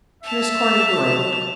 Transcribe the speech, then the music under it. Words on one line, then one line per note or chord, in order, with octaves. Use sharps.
Miss Corny groaned.
E5 A5 F7